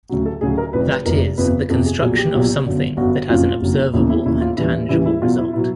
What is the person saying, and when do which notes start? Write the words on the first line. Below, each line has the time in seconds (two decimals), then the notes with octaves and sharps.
That is, the construction of something that has an observable and tangible result.
0.09 D2 C#3 F#3
0.25 A4
0.41 D2 C#3 F#3 G#4
0.58 A#4
0.73 F1 F2 C3 B4
0.89 B4
1.05 F1 F2 C3 A#4
1.37 G1 F2 C3 B4
1.69 G1 F2 C3 A4
1.86 G#4
2.01 B1 A#2 F#3 G#4
2.18 G4
2.33 B1 A#2 F#3
2.66 G1 F#2 D3
2.97 G1 F#2 D3 F#4
3.29 F#1 F2 C#3 F#3 F4
3.62 F#1 F2 C#3 F#3
3.93 E1 D#2 C#3 E4
4.10 E4
4.25 E1 D#2 C#3 E4
4.41 F4
4.57 D#2 C#3 E3 G3 E4
4.89 D#2 C#3 E3 G3 E4
5.06 E4
5.21 E2 B2 F#3 F4
5.38 E4
5.53 B2 F#3 E4